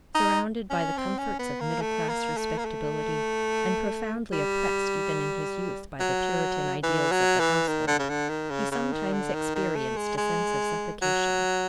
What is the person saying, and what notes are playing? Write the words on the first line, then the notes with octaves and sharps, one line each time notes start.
Surrounded by the comforts of middle-class respectability, and profoundly oppressed, even in his youth, by the Puritan ideals of the household, he sometimes experienced a sense of suffocation.
D#4
C#4
C4
C#4
B3
A#3
A3
A#3
A3
A#3
A3
G3
F#3
E3
F#3
E3
D#3
D3
C#3
D3
D#3
C#3
C#3
D#3
D3
D#3
D#3
A3
G#3
G#3
F#3